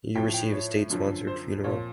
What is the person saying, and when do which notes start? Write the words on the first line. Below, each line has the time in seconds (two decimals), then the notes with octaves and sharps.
He received a state sponsored funeral.
0.15 A2 F3 G5
0.34 G5
0.53 C#5
0.90 F#2 D3 F3
1.27 C5
1.64 A#2 F3 C#5